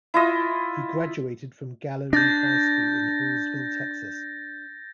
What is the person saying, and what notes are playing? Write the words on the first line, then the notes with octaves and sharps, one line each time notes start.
He graduated from Galilee High School in Hallsville, Texas.
E4 F4 D#5
D4 G6 A6 A#6